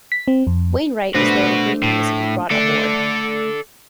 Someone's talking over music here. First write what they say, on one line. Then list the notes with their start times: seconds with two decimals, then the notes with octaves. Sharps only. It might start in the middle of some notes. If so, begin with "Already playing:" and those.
Wainwright was there to greet him as he was brought aboard.
0.12 B6
0.28 C4
0.47 F2
1.14 A3 D4 F#4 B4 C5
1.83 A2
2.51 A3 A4 D5